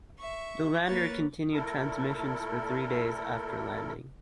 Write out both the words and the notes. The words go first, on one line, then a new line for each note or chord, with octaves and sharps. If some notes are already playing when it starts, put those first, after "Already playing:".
The lander continued transmissions for three days after landing.
E5 C#6
A#3 A#4 B4 C#5 A6
A#2 A3 E4 A4 A#4